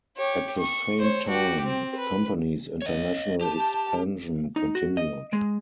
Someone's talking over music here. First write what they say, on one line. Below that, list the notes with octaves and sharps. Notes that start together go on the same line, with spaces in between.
At the same time, the company's international expansion continued.
G4 C#5
C#6
C5 C#5
F#4 G4
C4
B4
C#5 D#5
G4 A5
D#4
F#4
D#5
G#3